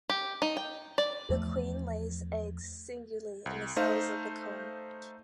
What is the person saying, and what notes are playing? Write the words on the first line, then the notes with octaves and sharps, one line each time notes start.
The queen lays eggs singly in cells of the comb.
G4
D#4
G5
D5
E2 F3 A3
C2
A3 D#4 C5 F5